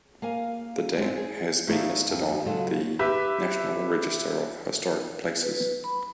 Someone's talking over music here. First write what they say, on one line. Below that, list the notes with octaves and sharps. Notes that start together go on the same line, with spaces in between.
The dam has been listed on the National Register of Historic Places.
A#3 F5 G#5
G#3 C4
G#4
A3 D#4 D5 E5 F5
F2 B4
C#3 F#3 G#3 F4 F#4 A4
G4 B4 E5
B4
B5